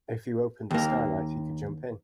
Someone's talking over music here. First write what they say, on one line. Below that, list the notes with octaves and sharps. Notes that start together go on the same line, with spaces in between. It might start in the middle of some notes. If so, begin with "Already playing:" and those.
If you opened the skylight, he could jump in.
D#2 A#3